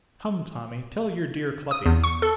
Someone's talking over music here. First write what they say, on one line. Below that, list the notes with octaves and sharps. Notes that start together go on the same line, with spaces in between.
Come, Tommy, tell your dear Cluppy.'
D#6
E2
C#6
A4